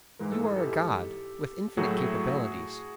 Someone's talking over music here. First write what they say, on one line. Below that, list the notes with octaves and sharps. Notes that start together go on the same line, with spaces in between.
You are a god, with infinite capabilities.
G#2 E3 G#3 A#4
A4
G#4
G4 A4
A2 F#3 A3 F#4 G#4